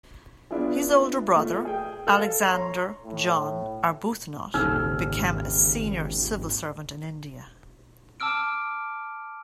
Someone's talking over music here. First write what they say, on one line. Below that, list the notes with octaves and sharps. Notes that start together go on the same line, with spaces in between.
His older brother, Alexander John Arbuthnot, became a senior civil servant in India.
B3 D4 E4 F4 G#4
A3 F4
G#4 G5
A4 F5
C#5 A#5 C6
A2
D#1 G#1 C#3 D#4 E6 F6
A5 D6 E6 F6 D7